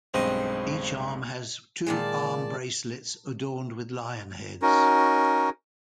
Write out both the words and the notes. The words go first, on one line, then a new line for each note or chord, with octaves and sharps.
Each arm has two arm bracelets adorned with lion heads.
B1 G2 G#3 C4 D#5
A#2 D#3 G#3 D5 A5
C#4 D#4 F#4 A#4